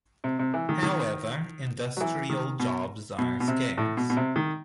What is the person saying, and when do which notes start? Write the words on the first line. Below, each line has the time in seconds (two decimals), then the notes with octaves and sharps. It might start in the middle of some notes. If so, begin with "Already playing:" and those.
However, industrial jobs are scarce.
0.24 C3
0.39 C3
0.54 E3
0.69 D#3
0.83 D#3
1.97 F#3
2.01 E3
2.30 D#3
2.60 B2
3.18 B2
3.40 B2
3.48 C3
3.78 A2
3.97 B2
4.10 B2
4.17 C3
4.36 D#3